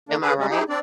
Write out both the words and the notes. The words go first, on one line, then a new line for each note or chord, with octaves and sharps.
Am I right?
D3 A#3 D4
D3 G#4 B4
G3 G#3 C#4
D#4 E4 G4 G#4
C4 D4 D5